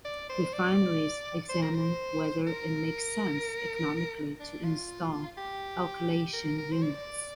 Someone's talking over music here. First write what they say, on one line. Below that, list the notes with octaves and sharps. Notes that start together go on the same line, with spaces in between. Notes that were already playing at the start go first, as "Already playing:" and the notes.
Refineries examine whether it makes sense economically to install alkylation units.
D5
C5
D5
C5
A#4
C5
A#4
D4
F4
G4
A#4
A#4
C5
D5